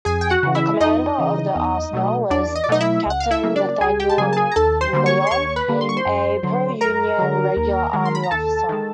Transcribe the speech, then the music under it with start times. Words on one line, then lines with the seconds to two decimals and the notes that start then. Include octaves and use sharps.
The commander of the Arsenal was Captain Nathaniel Lyon, a pro-Union regular Army officer.
0.05 F2 G#4 G#5
0.21 G5
0.30 F#4 F#5
0.43 C#3 E3
0.55 E4 E5
0.80 F2 D#4 D#5
1.18 C#3 E3
1.55 E2
1.93 B2 F#3 A3
2.30 E2 D4 D5
2.55 D#5
2.64 D5
2.68 B2 F#3 A3 D#4 D#5
2.81 E4 E5
3.06 C#2 F#5
3.20 F5
3.31 E4 E5
3.43 C#3 F#3 A#3
3.56 D4 D5
3.80 C#2 G#4 G#5
4.00 G4 G5
4.09 A5
4.18 C#3 F#3 A#3 G#4 G#5
4.33 A5
4.37 G#4 G#5
4.52 A#5
4.56 D#2 A4 A5
4.81 C5 C6
4.93 D3 G3 A#3
5.06 C#5 C#6
5.27 C6
5.31 D#2 C#5 C#6
5.56 B4 B5
5.68 D3 G3 A#3
5.81 C6
5.89 C#6
5.97 C5 C6
6.06 F#2
6.43 D3 F#3
6.81 F#2 A#4 A#5
7.19 D3 F#3
7.57 D#2
7.93 D#3 G#3
8.05 C6
8.15 B5
8.24 A#5
8.31 D#2 A4 A5
8.69 D#3 G#3